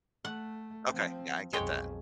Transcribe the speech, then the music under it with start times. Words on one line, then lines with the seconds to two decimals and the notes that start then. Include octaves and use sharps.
Okay. Yeah, I get that.
0.25 A3 F#5
0.87 F3 C4
1.53 B1 F2 G#3 C#5 G5